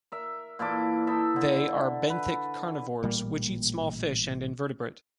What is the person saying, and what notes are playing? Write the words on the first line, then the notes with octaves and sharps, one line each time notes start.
They are benthic carnivores which eat small fish and invertebrate.
A#4 E5
A#2 E3 A4 D6
D#4 E4 A4 E5
D3
B4
A1 A#2 G3 A#3